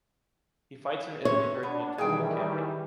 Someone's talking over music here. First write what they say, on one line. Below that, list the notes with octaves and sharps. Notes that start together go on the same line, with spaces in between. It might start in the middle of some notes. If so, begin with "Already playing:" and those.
He fights in Italy during the Italian campaign.
C3 C#5
B3 D4
D#3 E3 G3 G#4 G5